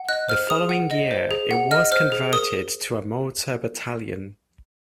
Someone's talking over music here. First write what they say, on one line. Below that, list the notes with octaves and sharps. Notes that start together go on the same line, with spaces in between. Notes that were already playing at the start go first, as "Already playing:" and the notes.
The following year, it was converted to a motor battalion.
Already playing: F#5
D#5 F#6
C5 F6
G#4 D#6
F#5
D#5
C5
G#4
F#5
D#5 F6
C5 F6
G#4
A#4 D#6